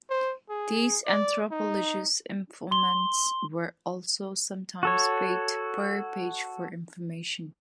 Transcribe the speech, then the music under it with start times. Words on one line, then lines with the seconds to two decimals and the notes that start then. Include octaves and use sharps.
These anthropologists informants were also sometimes paid per page for information.
0.10 C5
0.50 G#4
1.06 D5
1.51 D#4
2.71 C6 G7
4.83 F#4 A4 C#5